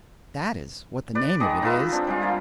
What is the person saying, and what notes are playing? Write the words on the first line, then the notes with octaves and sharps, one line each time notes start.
That is what the name of it is.
B4 D5
D#3 G#3 D#5 D6
D#4 F4 B4 E5
C4 D4
G3 G#3 F4
A#3 E4